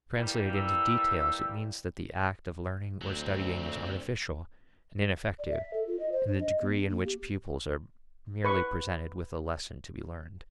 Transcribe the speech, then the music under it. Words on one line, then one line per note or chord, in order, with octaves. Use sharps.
Translated into details, it means that the act of learning or studying is artificial and ineffective in the degree in which pupils are merely presented with a lesson to be learned.
E3 G3 A#3
E6
D2 F#3 C4
D5
E5
A4
F4
D#5
C5
D4
D#5
B3
D4
A#3
G4
B4 C#6